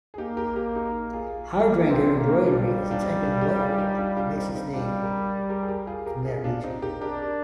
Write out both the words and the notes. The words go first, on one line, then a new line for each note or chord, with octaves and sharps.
Hardanger embroidery is a type of whitework that takes its name from that region.
G#4
A#3 D#4 G4
G4 A#4
G4 A#4
D#4 G4
F4 G#4
A#3
C4
A#3
G3 D4 F4
F4
D#4
D4 F4
C4 D#4
D4 F4
D#4 G4
F4 G#4
D#4 G4
D4 F4
D4 F4
C4 D#4
F4
C4 D#4
G3 D4 F4
G4 A#4
G4 A#4
G#4
G4 A#4
F4 G#4
G4 A#4
F4 G#4
D4 F4
C4 D#4
G4 A#4
D4 G4 A#4